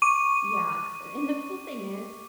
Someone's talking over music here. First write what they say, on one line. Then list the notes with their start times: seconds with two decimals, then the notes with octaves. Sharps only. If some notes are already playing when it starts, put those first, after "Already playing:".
Yeah, uh a and the cool thing is
0.02 C#6 D6 D#7